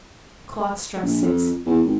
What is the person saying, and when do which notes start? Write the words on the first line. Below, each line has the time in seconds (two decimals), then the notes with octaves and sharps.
The clock struck six.
1.03 A#1
1.22 F2
1.66 E2
1.84 G#1